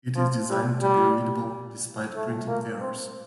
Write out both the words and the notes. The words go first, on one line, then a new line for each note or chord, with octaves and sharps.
It is designed to be readable despite printing errors.
F3
G3
G3
A3
A#3
C4